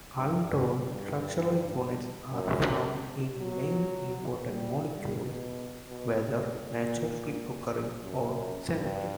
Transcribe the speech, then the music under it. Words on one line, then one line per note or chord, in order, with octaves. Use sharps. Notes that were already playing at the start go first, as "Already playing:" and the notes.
Aldol structural units are found in many important molecules, whether naturally occurring or synthetic.
G2
G2
F#2
F#3
G3
B2
B2
G2
A#2
F#2
G2